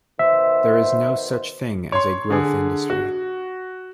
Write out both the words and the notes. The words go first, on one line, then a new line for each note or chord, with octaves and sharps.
There is no such a thing as a growth industry.
B2 D#3 C5 E5
C#5 C6
D3 G#4
F#4